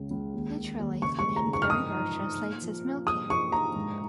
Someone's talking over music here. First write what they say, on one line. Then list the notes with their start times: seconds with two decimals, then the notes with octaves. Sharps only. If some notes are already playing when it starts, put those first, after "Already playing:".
Literally the name of the river translates as Milky.
Already playing: C#2 C#3
0.11 C#2
0.33 D#2
0.56 D#3
0.79 D#2
1.02 C#3 C#6
1.19 C#6
1.25 G#3
1.36 A#5
1.48 C#3
1.53 C#6
1.62 F6
1.70 G#2 D#6
1.93 F3
2.16 D#4
2.39 A#2
2.62 F3
2.85 F4
3.07 A#2 D#6
3.30 F3 C#6
3.52 F4 A#5
3.76 G#2